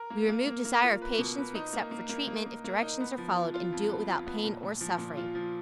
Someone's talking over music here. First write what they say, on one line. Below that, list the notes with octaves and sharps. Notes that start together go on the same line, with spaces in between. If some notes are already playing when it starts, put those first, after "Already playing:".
We remove desire of patients we accept for treatment, if directions are followed, and do it without pain or suffering.
Already playing: A#4
A#3
A#3
A#3
A#3
F4
B4
B2
B4
D#4
A#3
A#3
A#3
A#3
A#3
A#3
D#4
B3
F3
F4
F4
F2
B3
F4
B3
A#2
A#2
F3
A#2
F4
F3